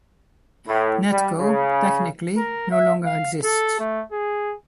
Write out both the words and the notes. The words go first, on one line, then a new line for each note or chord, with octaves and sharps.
Netco, technically, no longer exists.
A2
G3
C#3
A#4
E5
F5
A4
A3
G#4